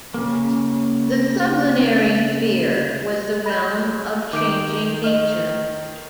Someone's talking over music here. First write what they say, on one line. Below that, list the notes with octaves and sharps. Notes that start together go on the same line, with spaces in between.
The sublunary sphere was the realm of changing nature.
C#3 A#3
B5 G6
D#3 D6 G6 D7
D#5 F6